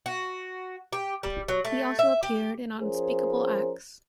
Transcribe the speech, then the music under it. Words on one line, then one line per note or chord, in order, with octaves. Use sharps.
He also appeared in "Unspeakable Acts".
F#4
G4
G3
F#3
A3
E5
G4
F3 C#4 G#4 A#4 C5